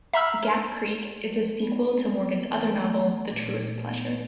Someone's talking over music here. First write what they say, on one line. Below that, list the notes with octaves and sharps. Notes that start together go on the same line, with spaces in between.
"Gap Creek" is a sequel to Morgan's other novel, "The Truest Pleasure".
E5 A#5 B5 E6 F6
B3
C4
E3
A3
A#2
B3